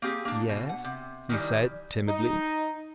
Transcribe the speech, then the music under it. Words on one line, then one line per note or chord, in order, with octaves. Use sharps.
"Yes?" he said timidly.
A#3 C4 G4 G#4
A#3 D4
B2
F#5
C3
D#3 E3 G3
D#4